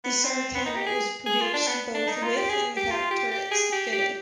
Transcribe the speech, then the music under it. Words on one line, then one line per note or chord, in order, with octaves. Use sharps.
The Saracen was produced both with and without turrets fitted.
B3
C4
B3
D#4
G4
G#4
G#4
F4
D4
B3
D4
D#4
F4
G4
G#4
G4
F4
G4
G4
G#4
G4
G4